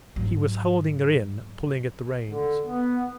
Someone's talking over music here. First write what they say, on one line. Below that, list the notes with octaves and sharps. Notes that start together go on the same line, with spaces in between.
He was holding her in, pulling at the reins.
G#2 F#3
D3
B3